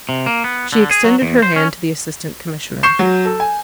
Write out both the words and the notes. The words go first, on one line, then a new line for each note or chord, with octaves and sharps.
She extended her hand to the Assistant Commissioner.
C3
A#3
B3
D3
G#4
F#3
E2
C5
C#4
C#6 G6 C7 E7
F#3
A4
G#5